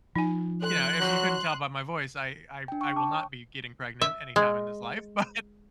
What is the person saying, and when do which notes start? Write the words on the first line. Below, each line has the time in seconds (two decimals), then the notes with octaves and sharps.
you know, if you couldn't tell by my voice, I I I will not be getting pregnant anytime in this life, but
0.15 F3 D#4 G#5
0.62 A4 C6 F#6
1.00 F#3
2.68 D4 G5
2.81 G5 C#6
2.96 A5 D6
3.13 C#5
4.01 E5
4.36 G#3